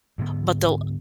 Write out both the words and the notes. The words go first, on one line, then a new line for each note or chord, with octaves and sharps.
but, they'll
D2 G#2 D3 B3